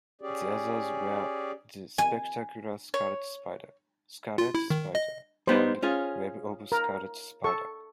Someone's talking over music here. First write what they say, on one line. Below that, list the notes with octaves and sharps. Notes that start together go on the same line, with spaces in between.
The others were "The Spectacular Scarlet Spider", "Scarlet Spider", and "Web of Scarlet Spider".
C#4 G4 G#4 D5
G#5
C#5
F4
E4
D#3
D#5
G3 B3 D#4 C5
C#4 F4 G#4
A#4
A4 C#6